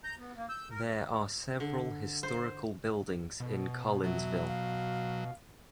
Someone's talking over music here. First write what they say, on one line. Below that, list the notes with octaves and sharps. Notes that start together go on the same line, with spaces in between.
There are several historical buildings in Collinsville.
A#5 G6
B3
A#3
E6 G6
A#4
D3
C5
B2
F#3 E5
F5